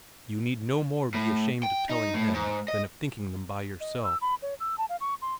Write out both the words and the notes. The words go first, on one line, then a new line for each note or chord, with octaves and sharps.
You need no more be ashamed of telling him than of thinking them by yourself.
A2
G5
D#4
A2
G#2
D#5
D#5
E6
B5
C#5
E6
A5
F5
C#6
C6